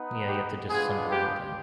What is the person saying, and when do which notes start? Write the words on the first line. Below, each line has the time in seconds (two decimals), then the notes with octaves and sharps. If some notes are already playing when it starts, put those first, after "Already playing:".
Yeah, you've to disassemble the whole thing.
Already playing: B3 D#4
0.24 G4
0.67 G#3 B3 D4 F4 G#4
1.09 G4